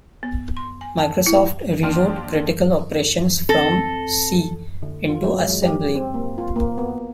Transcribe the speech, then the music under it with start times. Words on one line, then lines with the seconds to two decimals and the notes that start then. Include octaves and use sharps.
Microsoft rewrote critical operations from C into assembly.
0.23 B3
0.57 C6
0.81 G#5
0.98 A5
1.26 E4
1.83 D#2 D4 G5 C6 F6
3.49 C4 A4 A5 A#6
4.82 D3
5.09 F4
5.24 F#3
5.40 G#3
5.62 G4
5.95 C4
6.14 A#3
6.38 F4
6.56 A#3
6.78 B3